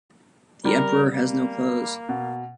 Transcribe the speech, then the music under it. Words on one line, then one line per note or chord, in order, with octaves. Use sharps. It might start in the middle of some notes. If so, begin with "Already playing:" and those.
The emperor has no clothes.
G3 A#4
A#3
B2